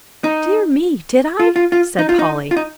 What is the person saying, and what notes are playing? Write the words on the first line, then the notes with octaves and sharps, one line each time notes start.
"Dear me, did I?" said Polly.
D#4
F4
F4
F4
D#4
F4
D#4
F4
D#4